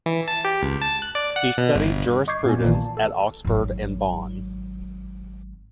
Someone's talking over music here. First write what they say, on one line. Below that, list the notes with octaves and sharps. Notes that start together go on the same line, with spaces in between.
He studied jurisprudence at Oxford and Bonn.
E3
A5
G4
C#2
A5
F#6
D5
F#5
B2
G1
D#5 C#6 D6 G6 G#6 C7
A#2 B3 G#5
A#1 A#2 D#3 E3
A5
A4
G#1 F#3